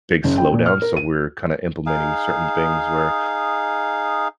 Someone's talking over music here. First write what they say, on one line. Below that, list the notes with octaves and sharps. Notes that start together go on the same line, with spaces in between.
big slowdown. So, we're kinda implementing certain things where,
F#1
G5
A#2
F6
A#4
D#7
D#4 G#4 F5